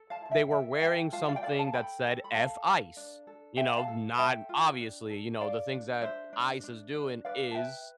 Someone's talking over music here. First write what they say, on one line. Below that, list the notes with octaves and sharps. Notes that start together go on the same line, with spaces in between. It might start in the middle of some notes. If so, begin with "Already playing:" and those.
they were wearing something that said F Ice, you know, not obviously, you know, the things that ICE is doing is
Already playing: A4
F5 A5
E4 A5
E5 G5
A4 E5 G5
A4 E5 G5
F4 F5 A5
D5 F5
G5
A4 D5 F5
F5 A5
A4 G5 B5
A4
B5
A4 F5 A5
A4
D4
A4
A4 E5 G5
F5 A5
A4
A4 E5 G5
F4
D4
A4
A4 D5 F5
D4
D4 C5 E5
D4
D4
D4
B4 D5 F5
A5
B4 E5 G5